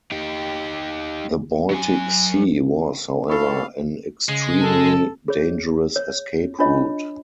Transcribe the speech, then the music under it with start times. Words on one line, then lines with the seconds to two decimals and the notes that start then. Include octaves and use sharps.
The Baltic Sea was, however, an extremely dangerous escape route.
0.12 D#4 G4
1.71 F#3 G#5
3.29 E4 A4 F5 B5 C#6
4.29 C#3 G#3
4.62 A4
5.28 G#4 C#5
5.96 C#5
6.59 D4 F4 C#5 D#5